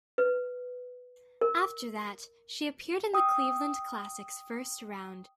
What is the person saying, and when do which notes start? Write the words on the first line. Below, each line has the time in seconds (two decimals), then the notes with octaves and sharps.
After that she appeared in the Cleveland Classic's first round.
0.18 B4
1.41 A#4
3.14 G5 D#6 E6